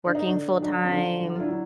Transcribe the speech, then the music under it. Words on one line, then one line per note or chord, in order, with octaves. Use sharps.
working full time
D3 D4
D#4
D4
D3
D#4
F#3 D4
C#4
D3 D4
F#3
F4
D4 E4
F#3